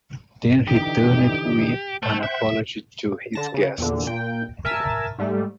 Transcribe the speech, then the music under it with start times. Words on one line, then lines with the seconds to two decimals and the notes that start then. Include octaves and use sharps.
Then he turned with an apology to his guests.
0.67 D3 E3 D#4 G4
2.03 A3 C5 F#5 G5
2.23 E5
3.33 D3 A5 A#6
3.54 C#3
3.78 E2 A#2 D3
4.07 A#2 G5
4.65 A#4 E5 G#5 A5 E6
5.18 G#2 G3 A3